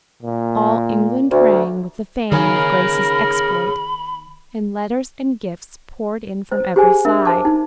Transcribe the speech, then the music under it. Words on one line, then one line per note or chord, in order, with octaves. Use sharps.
All England rang with the fame of Grace's exploit, and letters and gifts poured in from every side.
A#2
D2
D#3 G#4 A#4 C#5 G#5 B5
C5
G4 G#4 C5 G#5
D4 A#4 E5
C5 A5 D6
D#4